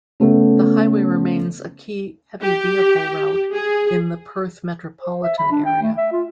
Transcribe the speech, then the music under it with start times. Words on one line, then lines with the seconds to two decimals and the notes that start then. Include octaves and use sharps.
The highway remains a key heavy vehicle route in the Perth metropolitan area.
0.20 C#3 A3 B3 A4
2.42 G4
3.54 G#4
5.02 C5
5.23 E5
5.38 B5
5.51 D4
5.66 G5
5.82 A3
5.97 E5
6.12 F4